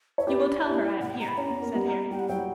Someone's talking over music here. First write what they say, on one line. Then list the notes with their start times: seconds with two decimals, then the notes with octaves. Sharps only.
'You will tell her I am here?' said Harry.
0.18 C#5 E5
0.27 G4 B4 D5
0.64 E4 G4
1.01 F#5
1.10 G5
1.20 A#5
1.28 B5
1.37 C#4 A#5
1.49 B3
1.62 A#3
1.74 G3 B3
2.11 G3 G5
2.19 F#5
2.28 F#3 G5